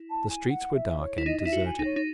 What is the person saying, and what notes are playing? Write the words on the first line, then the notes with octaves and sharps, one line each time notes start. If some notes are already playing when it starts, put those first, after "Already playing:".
The streets were dark and deserted.
Already playing: E4
A5
G#5
F#5
E5
C#5
E4
D#4 D#5
D#5
E4 E5
F#4
G#5
D#4
C#5
D#4